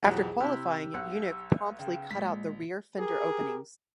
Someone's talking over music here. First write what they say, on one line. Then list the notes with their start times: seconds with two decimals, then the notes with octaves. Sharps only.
After qualifying, Yunick promptly cut out the rear fender openings.
0.03 B1 F2 E3 F#3 G4 G#4 F#5
0.40 C3 E4 G4 E6
0.94 B1 F#5
1.79 C#3 G5
2.11 A#1 G#3 B6
2.98 G4 G#4 A#4